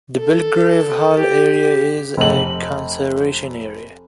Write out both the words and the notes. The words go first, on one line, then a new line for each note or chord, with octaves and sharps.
The Belgrave Hall area is a conservation area.
A4
G4
F1 F#7